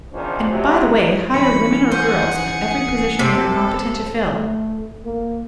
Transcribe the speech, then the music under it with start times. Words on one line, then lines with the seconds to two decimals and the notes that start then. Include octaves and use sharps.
And, by the way, hire women or girls for every position they are competent to fill.
0.13 E2 D#3 F3 C#4 D4 C5
0.50 C3 F3 F#3
1.34 E3 C#4 D#4 B5 C#7
1.92 G#4 C5 F#5
3.19 F#2 C3 A4 C5
4.36 A3
5.05 A#3